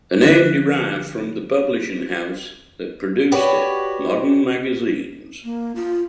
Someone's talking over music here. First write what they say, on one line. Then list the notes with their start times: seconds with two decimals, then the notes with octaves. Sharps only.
The name derived from the publishing house that produced it, Modern Magazines.
0.23 D3 F3 F#6
3.32 F#4 G4 B4 C#5 D5
5.44 A#3
5.76 F4